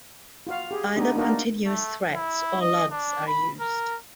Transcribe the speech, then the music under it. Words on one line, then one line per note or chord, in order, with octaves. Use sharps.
Either continuous threads or lugs are used.
F4 F#4 F5
G4 G#4
A3 B3 D4 D#4 G4 D#5
A#3 D4 D#4 F4 F#4 A#4
A3
E4
D#5
D4
B5
A#4